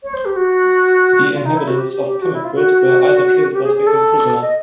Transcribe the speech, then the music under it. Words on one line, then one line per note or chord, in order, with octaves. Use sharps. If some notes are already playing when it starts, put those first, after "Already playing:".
The inhabitants of Pemaquid were either killed or taken prisoner.
C#5
C5
G4
F#4
F4
D#4
E4
F#4
G4
G4
G4
F#4
E4
F4
F#4
G4
G#4
G#4
A4
D#5